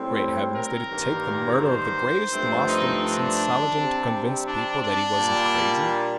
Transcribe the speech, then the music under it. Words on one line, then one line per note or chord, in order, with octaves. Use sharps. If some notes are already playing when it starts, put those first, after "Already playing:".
Great heavens, did it take the murder of the greatest Moslem since Saladin to convince people that he wasn't crazy?
Already playing: A2 G3 C4
A#4
G2 D#3 A#3
C5
G2 F3 A3 C4
D#4
D4
C3 G3 C4
D4
D4
A#2 G3 A#3